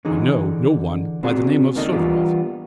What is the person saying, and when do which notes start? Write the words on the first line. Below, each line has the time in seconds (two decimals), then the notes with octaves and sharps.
I know no one by the name of Souvaroff.
0.05 D3 E3 D#4 G#4
1.23 B3 C4 D4 F#4 G#4
1.75 C#2 D#3 A#3 D4 A4 D#5
1.92 E3 G3 A#3 B3 D4 F4